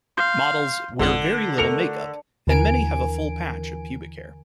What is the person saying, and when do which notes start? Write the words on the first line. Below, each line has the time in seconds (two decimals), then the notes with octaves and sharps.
Models wear very little make-up and many have a full patch of pubic hair.
0.17 F5 C6 G6
0.99 G#1 F2 D3 F#5
1.58 A3 A#4 C#7 F7
2.47 D#2 D3 E3 A#4 G#5 D7